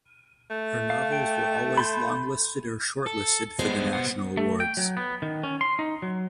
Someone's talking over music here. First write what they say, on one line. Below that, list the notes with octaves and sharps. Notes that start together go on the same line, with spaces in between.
Her novels were always longlisted or shortlisted for the national awards.
A3
F5
G5
B5 C6 G6
A4
G3 G#3 B3 C5
B2 F#5
A3
G5
F#3
B3
D#3
C#4
C6
D#4
F#3